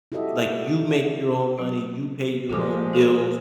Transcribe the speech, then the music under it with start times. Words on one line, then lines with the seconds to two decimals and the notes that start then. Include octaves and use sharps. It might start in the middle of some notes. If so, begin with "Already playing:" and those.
like, you make your own money, you pay your own bills,
0.12 E4 F#4 G4 A4 D#5 E5
1.58 F#3 F#4
2.49 A#2 F3 G#3 G4 A4 D6
2.93 G#4 A4 C6